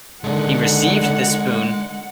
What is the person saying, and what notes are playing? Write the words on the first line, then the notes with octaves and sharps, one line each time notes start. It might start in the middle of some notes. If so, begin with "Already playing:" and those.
He received this boon.
D3 D#3 G#3 A4 F#5